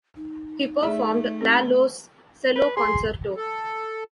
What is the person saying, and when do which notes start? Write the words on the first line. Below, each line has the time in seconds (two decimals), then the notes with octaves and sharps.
He performed Lalo's Cello Concerto.
0.16 D#4
0.83 A3 G#4 D5 E5
1.41 C4 G4
2.56 B4
2.77 G#4 C6
3.36 A4